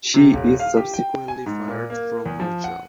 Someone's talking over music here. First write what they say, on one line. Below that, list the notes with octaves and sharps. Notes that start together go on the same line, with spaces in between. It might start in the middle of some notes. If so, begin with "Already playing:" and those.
She is subsequently fired from her job.
C3
D#1
F5
G4
G5
G#5
G#2
A#2
A#3
E2
F3
F#5